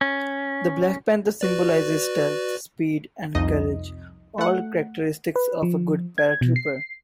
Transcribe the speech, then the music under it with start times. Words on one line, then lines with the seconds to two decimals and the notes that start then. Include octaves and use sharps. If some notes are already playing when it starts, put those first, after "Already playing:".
The black panther symbolizes stealth, speed and courage, all characteristics of a good Paratrooper.
0.01 C#4
1.41 F#4 B4 D5
3.35 C2 F2 D#4 D#5
4.38 A3 F#5
5.36 B4
5.63 F3
6.18 G#6
6.41 B2
6.56 C7